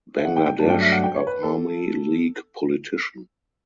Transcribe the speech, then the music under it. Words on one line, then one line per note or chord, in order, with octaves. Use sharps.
Bangladesh Awami League politician.
E5
F#5
G5
G5
G2 F#3 A3 D4 A5
G5
E5
F#5
G5
C#5
B4
A4